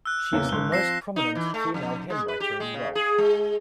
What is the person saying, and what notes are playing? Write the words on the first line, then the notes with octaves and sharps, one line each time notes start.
She is the most prominent female hymn-writer in Welsh.
E6 F#6
E2 A#3 C#4
G#1 G7
F3 C4 A#6 C7 E7
D#4
E3
A3
F2
G#3
B4
G4
G#3
C#3
G#4
G#3